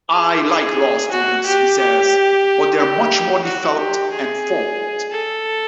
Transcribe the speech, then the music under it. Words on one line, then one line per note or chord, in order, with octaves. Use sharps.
'I like law students,' he says, 'but they're much more developed and formed.
G#4
G#4
F#4
G4
G4
G4
F#4
G4
G#4
A4